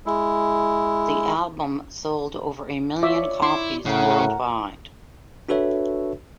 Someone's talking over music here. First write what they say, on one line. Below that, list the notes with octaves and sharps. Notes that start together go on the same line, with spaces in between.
The album sold over a million copies worldwide.
G#3 E4
F4 C#5 D5 E5 D6
E4 C6
A2 C#3 F#4 A#4
D4 F#4 A4 B4 C#5 E5